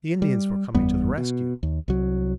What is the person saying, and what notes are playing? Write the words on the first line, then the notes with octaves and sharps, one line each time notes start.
The Indians were coming to the rescue!
G3
F#1 E2 G3 B3
B2
D#2
C2 F#3